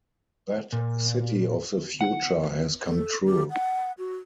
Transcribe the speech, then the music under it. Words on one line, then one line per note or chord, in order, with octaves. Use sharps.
That city of the future has come true.
A#2
F#5
A4
G4
F#5
F#4